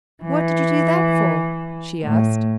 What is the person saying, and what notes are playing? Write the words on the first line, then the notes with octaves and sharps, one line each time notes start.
"What did you do that for?" she asked.
E3
A2